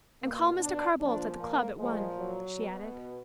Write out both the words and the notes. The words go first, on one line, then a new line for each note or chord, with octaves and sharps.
"And call Mr. Carr-Boldt at the club at one," she added.
B2 A#3
D4
A#2 F3 D4
A#3
A#2 F3 G#3
F#3
B2